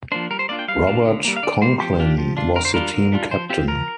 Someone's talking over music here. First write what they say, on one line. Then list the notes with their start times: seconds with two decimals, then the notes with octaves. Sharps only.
Robert Conklin was the team captain.
0.12 F3 A#3 D4 C5
0.31 G3 A#4
0.39 C5
0.49 A#3 D4 F4 D5
0.59 G5
0.68 G3 F5
0.87 A#3 D4 F4
1.05 D3
1.25 G3 A#3
1.36 F5
1.43 D3 D5
1.61 G3 A#3 C5
1.80 F3 G4
1.99 D4 F4
2.18 F3
2.37 D4 F4
2.55 D3 A#4
2.65 C5
2.74 G3 D4 F4 A#4
2.93 D3
3.12 G3 D4 F4
3.31 F3 C5
3.49 C4 F4 G4
3.68 F3 A#4